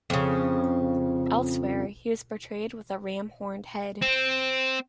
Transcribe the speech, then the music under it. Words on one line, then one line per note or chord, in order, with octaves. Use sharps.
Elsewhere he was portrayed with a ram-horned head.
F2 C#3
C4